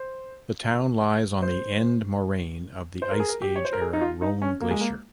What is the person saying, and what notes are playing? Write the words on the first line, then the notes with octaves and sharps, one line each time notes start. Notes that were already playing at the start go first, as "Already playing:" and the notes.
The town lies on the end moraine of the ice age era Rhone glacier.
Already playing: C5
C5
C5
A#4
G#4
A#4
G4
C#5
C5
A#4
G#4
D#4
F4
D#4
C#4
A#3
G#3
A#3